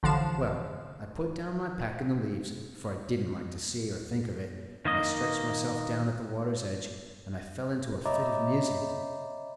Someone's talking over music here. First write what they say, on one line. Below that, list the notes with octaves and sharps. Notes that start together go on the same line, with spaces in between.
Well, I put down my pack in the leaves, for I did n't like to see or think of it, and I stretched myself down at the water's edge, and I fell into a fit of musing.
A1 D3 F3 F5 E7
D#3 A#3 D#5
C#5 D#5 E5 A#5 B5 D6